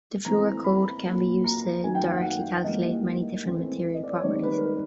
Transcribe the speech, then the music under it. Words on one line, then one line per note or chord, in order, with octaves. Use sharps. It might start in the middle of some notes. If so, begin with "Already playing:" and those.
The Fleur code can be used to directly calculate many different material properties.
A2 E3 A3 C4 A#5
B5
A#2 F#3 A#3
A#5
F#2 D#3 F#3 A3 G#5
G5
F5
F#5
G#2 E3 G3 A#3 D#5
A2 E3 A3 C4
D#5
D5
C#5
G#2 D#3 G3 C4 D5
B4
A#4
B4